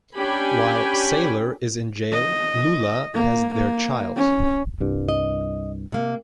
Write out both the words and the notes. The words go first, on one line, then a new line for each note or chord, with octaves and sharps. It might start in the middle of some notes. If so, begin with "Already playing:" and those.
While Sailor is in jail, Lula has their child.
C#4 D4 G4 G5 G#5 B5
D#5
A#3
A#3
C#4
C2 G2
D#5
C3 A#3